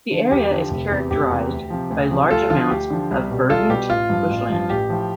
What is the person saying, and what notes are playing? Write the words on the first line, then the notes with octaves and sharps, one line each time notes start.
The area is characterised by large amounts of verdant bushland.
D3 F3
E2 G4
D3 F3
F1
E2 C3
F1 G4
E2 C3
D2
C3 F3
D2
C3 F3
D2 F4 A4
D3 F3 F4
D2 G4
D3 F3
C2
B2 G3
C2 F4 A4
B2 G3 G4
A1 F4
G2 F3
A1
G2 F3
A1 G4
A2 F3